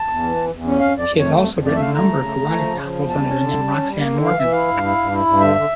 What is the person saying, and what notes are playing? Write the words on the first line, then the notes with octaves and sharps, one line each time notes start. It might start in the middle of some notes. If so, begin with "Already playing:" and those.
She has also written a number of erotic novels under the name Roxanne Morgan.
Already playing: A5
E2
E3
E2
E2
C#4
F2 F5
F2 D5
F2
A3 C#5
F2
F2
A3 D5
E5
D3 F5
A3 A#5
C#3
A3
A3
F3
C#3
F3
E2
G3 A5
C#4
D3
G3
C#4
G3
A#3
D3
E3 F5
E3 E5
E4 F5
G2
E4
G2
E4
G2
D3 E5
D3